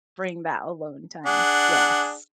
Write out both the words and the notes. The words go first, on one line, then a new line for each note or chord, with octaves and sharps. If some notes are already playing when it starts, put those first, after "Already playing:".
bring that alone time. Yes.
D4 G#4 F#5